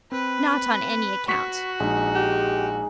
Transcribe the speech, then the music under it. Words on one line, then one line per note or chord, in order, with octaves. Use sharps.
Not on any account.'
C4 B4
F#4 C#6 B6 C#7
A#1 G#3 D#4
G4